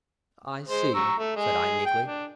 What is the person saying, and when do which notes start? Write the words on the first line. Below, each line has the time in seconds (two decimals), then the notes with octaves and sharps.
"I see," said I, meekly.
0.68 G#3 C5
0.95 A#5 C#6 E6
1.18 A3
1.36 G#3 G#4
1.86 G5
2.04 D4